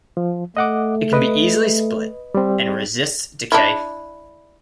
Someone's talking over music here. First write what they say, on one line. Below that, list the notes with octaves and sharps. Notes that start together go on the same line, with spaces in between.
It can be easily split and resists decay.
F3
A3 D#5 F#5 D6
B4 D#5
G3 C4
D4 E4